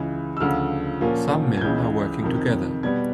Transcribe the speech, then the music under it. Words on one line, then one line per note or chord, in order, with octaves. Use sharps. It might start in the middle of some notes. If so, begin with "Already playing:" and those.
Some men are working together.
Already playing: C#2 C#3 E3
E6
D2 C#3 F3 F6
A#2 F3 A#3 C#4
G#6
C#2 C#3 E3 G6
F2 C3 D#3
B2 G3 B3 G#6